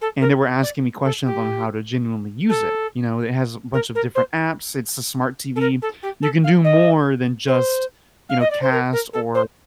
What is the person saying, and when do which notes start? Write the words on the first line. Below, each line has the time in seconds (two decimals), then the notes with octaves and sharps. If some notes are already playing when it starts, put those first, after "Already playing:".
and they were asking me questions of 'em how to genuinely use it, you know, it has a bunch of different apps- it's a smart TV- you can do more than just, you know, cast or
0.01 A4
0.21 A#4
0.62 D5
1.04 A4
1.25 G4
2.49 A4
3.73 A#4
3.95 A#4
4.15 C5
5.55 A4
5.60 A#4
5.82 A4
6.02 G4
6.22 A4
6.43 F5
6.64 D#5
7.47 C5
8.29 F5
8.40 D#5
8.50 D5
8.61 C5
8.71 A#4
8.92 A#4
9.13 A4
9.34 C5